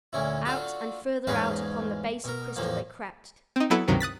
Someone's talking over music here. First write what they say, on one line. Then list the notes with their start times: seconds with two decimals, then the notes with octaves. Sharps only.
Out and further out upon the base of crystal they crept.
0.13 D2 A#2 C#4 E4
0.45 D4 F4 F#4 A4
1.27 E2 G#2 G#3 C#4 B4 F5
2.24 B2 A#4
2.56 E2 A2 F3 A#3
3.56 C4 D#4
3.70 F#3 B3 E4 A4 B4
3.87 C#2 G2 C3 D#3 F#3
4.00 D#6 F#6 A6 B6